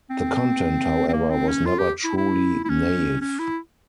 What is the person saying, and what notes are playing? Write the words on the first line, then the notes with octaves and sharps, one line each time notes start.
The content, however, was never truly naive.
C4
C4
A#3
C4
C#4
F4
G4
E4
E4
E4
C#4
C#4
E4